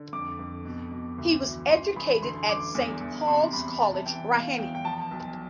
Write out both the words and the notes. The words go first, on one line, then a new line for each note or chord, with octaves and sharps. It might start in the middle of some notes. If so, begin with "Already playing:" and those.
He was educated at Saint Paul's College, Raheny.
Already playing: D3
F2 D6
F2
B2
B2
D2
E3
A1 C6
A1 B5
D3 C6
A1 D6
E2
E2
C3 C6
E2 B5
C3 A5
E3 G5
B2 F5
E2 G5
G5
F3 A5
B1